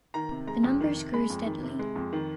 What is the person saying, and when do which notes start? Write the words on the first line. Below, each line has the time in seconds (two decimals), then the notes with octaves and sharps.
The numbers grew steadily.
0.14 D#3 A#5
0.31 C3
0.47 G#3 A#5
0.63 F2
0.80 D#3
0.96 C3
1.14 G#3 B5
1.30 F2
1.46 D#3
1.63 C3
1.79 G#3
1.96 F2
2.13 D#3